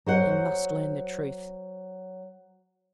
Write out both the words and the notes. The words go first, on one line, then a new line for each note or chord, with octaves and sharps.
He must learn the truth.
F#3 C5 F#5